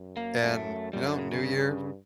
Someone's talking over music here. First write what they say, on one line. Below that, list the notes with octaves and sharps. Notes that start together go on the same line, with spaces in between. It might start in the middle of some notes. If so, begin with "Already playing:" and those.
And, you know, new year,
Already playing: F#2
A#3
F#2 A3
F#2 G3
D3
C#3
C#3
G2 C#3